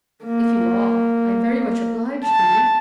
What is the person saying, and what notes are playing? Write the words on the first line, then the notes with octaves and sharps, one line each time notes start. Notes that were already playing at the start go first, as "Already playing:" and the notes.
If you are, I'm very much obliged to you.'
A#3
A5